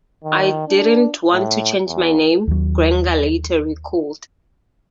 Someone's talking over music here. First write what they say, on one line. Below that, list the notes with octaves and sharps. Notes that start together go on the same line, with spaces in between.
I didn't want to change my name, Granger later recalled.
D#3
D4
A2
E2
D#2 F#3